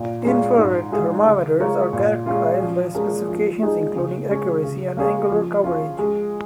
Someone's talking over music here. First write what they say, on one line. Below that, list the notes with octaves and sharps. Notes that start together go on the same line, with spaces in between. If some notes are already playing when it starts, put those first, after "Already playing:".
Infrared thermometers are characterised by specifications including accuracy and angular coverage.
Already playing: A#2
G#3 C#4 F4
G#2
G#3 F4 G#4
C#3
G#3 F4 A#4 C#5
A#2
G#3 C#4 F4
F3
G#3 C#4 A#4
F3
G#3 D#4 G#4
C#3
G#3 C#4
C#3
A#3 C#4 G#4 C#5
F3
C#4 F4
G#3